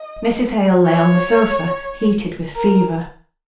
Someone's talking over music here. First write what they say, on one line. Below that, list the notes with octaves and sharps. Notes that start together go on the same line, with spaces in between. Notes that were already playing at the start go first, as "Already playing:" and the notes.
Mrs. Hale lay on the sofa, heated with fever.
Already playing: D#5
C#5
A#4